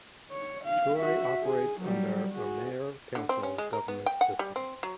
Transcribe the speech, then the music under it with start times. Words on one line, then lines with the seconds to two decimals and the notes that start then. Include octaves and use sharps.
Troy operates under a Mayor-council government system.
0.31 C#5
0.64 F5
0.98 F#4 E5
1.43 G#4
1.80 F#3 G3
2.32 F#4 G#4
3.15 D3
3.29 C4
3.43 C#4
3.58 G#3
3.73 A#4
3.88 B3
4.06 G5
4.21 F#5
4.39 G3
4.56 C4
4.83 F#3